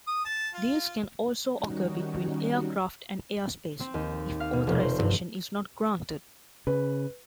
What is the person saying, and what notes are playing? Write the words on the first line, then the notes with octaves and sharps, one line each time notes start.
Deals can also occur between aircraft and airspace, if authorization is not granted.
D#6
A5
F4
D#3 G3 C#4 D#4 F#4
C4
D#2
F5
B2
F1
C5
G2
C#3 B4